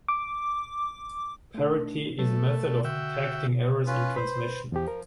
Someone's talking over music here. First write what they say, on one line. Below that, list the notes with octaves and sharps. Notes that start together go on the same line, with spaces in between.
Parity is a method of detecting errors in transmission.
D6
A3 D4
F#3 A3 B4
A#4
D3 F#4 E5 G5
C#4 F4 B4
B4 C5 B5 C6
E2 F3 G4
A#4